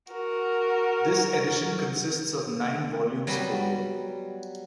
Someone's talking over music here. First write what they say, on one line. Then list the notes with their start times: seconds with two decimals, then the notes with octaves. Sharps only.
This edition consists of nine volumes folio.
0.11 F#4 A#4
3.27 F#3 G3 B3